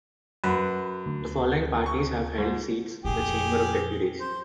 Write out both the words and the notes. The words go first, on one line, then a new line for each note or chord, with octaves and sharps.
The following parties have held seats in the Chamber of Deputies.
F#2 B4
D2
C#6
G#2
F2 A#2 G4 G#4
C5